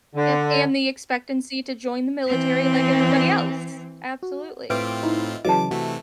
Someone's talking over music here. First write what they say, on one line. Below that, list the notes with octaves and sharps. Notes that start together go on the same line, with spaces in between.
If and the expectancy to join the military like everybody else absolutely.
D3
E3 C4
F#4
A2 C4 F4 B4 E5 G5 D6
D#4 E4
C#3 E3 F#3 D#5 A5 D6
C3 E3 A3 F#4